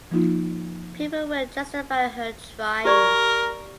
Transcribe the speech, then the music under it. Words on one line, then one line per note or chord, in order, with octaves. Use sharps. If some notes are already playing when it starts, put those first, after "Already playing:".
People will justify her trying.
F3 A#3 D#4 F4
G4 A#4 D5 C#6